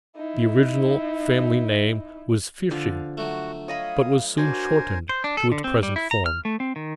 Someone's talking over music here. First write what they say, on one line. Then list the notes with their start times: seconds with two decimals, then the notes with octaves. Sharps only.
The original family name was Pfirsching, but was soon shortened to its present form.
0.16 D#4 E4
2.71 D3 F3 F5
3.17 F#3 A3 F#4
3.68 C#5 D#5 F5 B5 D#6
4.37 D4 F#4 A#4 C5 C#5 G#5
5.09 C5
5.24 D4
5.37 A4
5.52 D3
5.64 C4
5.83 G3
5.96 E4
6.11 A#5
6.26 F6
6.45 A3
6.60 C4
6.76 D#3